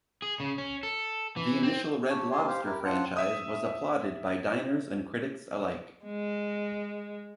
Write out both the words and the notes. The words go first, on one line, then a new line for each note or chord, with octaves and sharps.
The initial Red Lobster franchise was applauded by diners and critics alike.
G#4
C#3
C#4
A4
E3
C4
D4 G4 C#5
C4 G4 G#5 A5 C6
G4 C5 F5
E4 G4 A#4
C4 D4 F4 F#5 F#6
E5 D#6
G#3